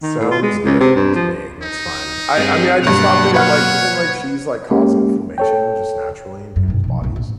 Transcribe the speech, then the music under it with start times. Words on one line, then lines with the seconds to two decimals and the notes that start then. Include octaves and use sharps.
Sounds good to me, that's fine. I I mean, I just thought that it like doesn't like cheese like cause inflammation just naturally in people's bodies?
0.02 D#3
0.19 A2
0.31 F4
0.42 G#3
0.65 C#2
0.80 C3
0.96 G2
1.16 F3
1.62 D#4
2.35 G2 C4 G#4
2.83 G2 B2 F#3 A#3 F#5 F7
3.34 B4 C#5 F#5 F6
4.71 G#3 A#3 C#4 G4
5.38 A4 C#5 G5
6.56 F#2
6.68 B1 G2
6.84 B1 F3
7.01 A#1 B3
7.16 A#1 G#2